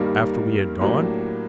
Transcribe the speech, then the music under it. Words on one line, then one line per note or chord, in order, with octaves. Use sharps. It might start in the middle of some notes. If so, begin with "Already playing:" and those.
"After we had gone?"
Already playing: G2 D#3 G3 A#3
A2 F#3 A#3 D4 G4